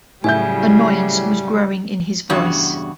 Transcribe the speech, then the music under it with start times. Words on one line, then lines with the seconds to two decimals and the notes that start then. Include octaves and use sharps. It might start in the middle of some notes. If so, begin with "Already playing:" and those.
Annoyance was growing in his voice.
0.24 A2 C#3 F#3 G3 E5 G#5 G6
2.30 E2 G2 C#3 F#4